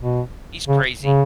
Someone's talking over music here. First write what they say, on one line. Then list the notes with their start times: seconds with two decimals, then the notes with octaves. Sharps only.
He's crazy.
0.01 B2
0.69 C#3
1.03 C#3